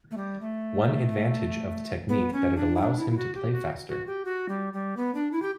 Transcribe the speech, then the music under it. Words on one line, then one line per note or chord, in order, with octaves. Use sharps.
One advantage of the technique that it allows him to play faster.
A3
G3
A3
B3
C#4
D4
E4
D4
E4
E4
F#4
G4
F#4
F#4
G4
F#4
G3
G3
B3
D4
E4
G4